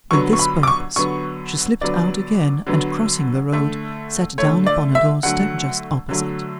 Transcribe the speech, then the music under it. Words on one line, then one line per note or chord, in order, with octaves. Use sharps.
With this purpose she slipped out again, and crossing the road, sat down upon a door-step just opposite.
D3 F#3 B3 C#6
C#6
B5
D6
C#6
D3 F#3 B3 C#6
D3 F#3 B3 D5
D3 F#3 B3
D3 A3
D3 A3 C#5
D5
E5
D3 F#3 A3 F#5
D3 F#3 A3